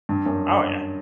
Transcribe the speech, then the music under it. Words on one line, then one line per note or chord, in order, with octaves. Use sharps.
Oh, yeah.
G2
F#2